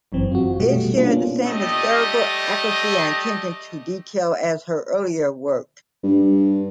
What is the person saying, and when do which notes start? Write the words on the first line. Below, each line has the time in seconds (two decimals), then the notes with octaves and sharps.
It shared the same historical accuracy and attention to detail as her earlier work.
0.12 G1 F#2 E3 C4
0.32 F4 F#4
0.60 B2 G3 A3
0.96 A#3 B3 C#4 D4 F4
1.45 G3 A3 D#5
6.04 G2